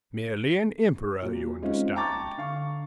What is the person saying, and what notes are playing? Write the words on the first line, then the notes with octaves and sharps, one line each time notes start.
"Merely an Emperor, you understand."
A#2 F#3
G#3 C4 C#4 D#4 F4
G5 A5 A#5 C#6 D6 A6
D3 F5 C#6